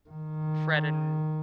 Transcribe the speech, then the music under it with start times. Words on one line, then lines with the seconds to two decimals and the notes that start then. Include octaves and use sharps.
Fred and-
0.10 D#3